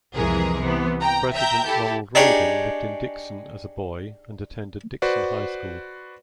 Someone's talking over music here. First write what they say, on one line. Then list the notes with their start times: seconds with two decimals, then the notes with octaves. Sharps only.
President Ronald Reagan lived in Dixon as a boy and attended Dixon High School.
0.15 C2 F2 E3 G#3 G#4 A#4
0.62 C3 E3 B3
1.02 G5 A#5
1.33 E5 G5 A#5 G6
1.66 E4 G4 A4
2.15 D4 D#4 G4 G#4 C#5
5.02 F#4 B4 C5 D5